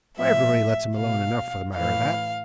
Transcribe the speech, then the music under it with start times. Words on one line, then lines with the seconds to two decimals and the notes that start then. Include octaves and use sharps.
'Why everybody lets him alone enough, for the matter of that.
0.17 A2 F3 E5
0.97 B2 F5
1.76 A2 E3 F5